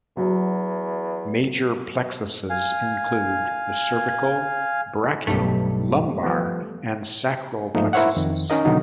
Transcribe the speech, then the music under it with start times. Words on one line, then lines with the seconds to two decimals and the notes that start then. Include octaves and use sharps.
Major plexuses include the cervical, brachial, lumbar, and sacral plexuses.
0.17 E2 F#3
2.50 F5 G#5
5.27 B1 G2 G3 A3
6.23 F3 B3
7.75 G#2 F3 A3 A#3 D#4
7.93 E4 A#4 C5 C#5 E5 F#5
8.17 F2 D#3
8.50 C#4 D#4 A#4 D#5
8.65 B2 D3 D#3 F#3 D#4